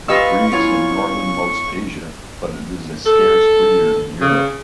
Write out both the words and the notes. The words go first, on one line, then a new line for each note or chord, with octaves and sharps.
It breeds in northernmost Asia, but it is a scarce breeder in Europe.
F4 G4 B4 D#5 F5 C#6 E6
B3 E4 F4 C#5 G#5
A4
C#3